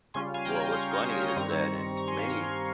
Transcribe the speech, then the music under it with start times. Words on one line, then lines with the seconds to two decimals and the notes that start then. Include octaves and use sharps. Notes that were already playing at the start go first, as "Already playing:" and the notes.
Well, what's funny is that in many
0.14 C#3 G3 C#4 F4 G#5 C6
0.34 F5 G#5
0.45 G5 A#5
0.61 G#5 C6
0.75 A#5 C#6
0.91 C6 D#6
1.06 C#6 F6
1.21 C6 D#6
1.36 G2 D#3 G3 C4 A#5 C#6
1.97 A#5 C#6
2.08 G#5 C6
2.18 F5 G#5
2.28 G#5 C6
2.44 A#5 C#6